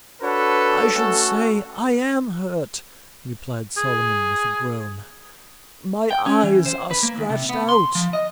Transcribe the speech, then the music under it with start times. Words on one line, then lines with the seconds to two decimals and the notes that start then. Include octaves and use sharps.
"I should say I am hurt!" replied Solomon, with a groan; "my eyes are scratched out!"
0.22 D4 F#4 A4 B4 C#5
0.94 A3 C#4 F#4
3.77 G#4
6.11 G5
6.26 C#4
6.43 E3
6.66 C5
6.91 B4
7.03 A#3
7.18 D#2
7.30 C3
7.49 B3
7.69 C6
7.95 F3
8.13 D#5